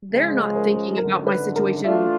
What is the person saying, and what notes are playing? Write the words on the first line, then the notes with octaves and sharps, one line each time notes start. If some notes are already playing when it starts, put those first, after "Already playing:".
they're not thinking about my situation,
C#2 C#3 F3 G#3
A#4 C5
G#1 F#2 D3 A#4
B4
A#4
E3 A3 D4 F4 D5 E5